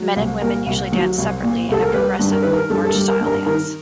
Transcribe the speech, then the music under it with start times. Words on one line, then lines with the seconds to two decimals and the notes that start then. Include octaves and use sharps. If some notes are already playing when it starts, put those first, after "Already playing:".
Men and women usually dance separately in a progressive march style dance.
Already playing: F#3
0.16 C2
0.42 A#2 A#4
0.66 C2
0.92 F#3
1.18 C2
1.43 A#2
1.69 C2 A4
1.82 A#4
1.93 G3 B4
2.19 G2
2.31 A#4
2.43 D#3 B4
2.53 A#4
2.70 G2 A4
2.84 A4
2.89 A#4
2.95 G3
3.08 A#4
3.21 G2
3.26 A#4
3.46 D#3 A#4